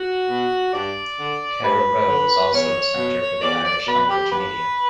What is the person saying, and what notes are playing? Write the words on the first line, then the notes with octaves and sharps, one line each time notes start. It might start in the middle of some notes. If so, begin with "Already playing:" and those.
Carraroe is also a centre for the Irish-language media.
Already playing: F#4
B2
G2 D5
D3
G2 B4
D3
E2 C#5
B2
E2 D5
D5
B2 B4
G4
G2 B4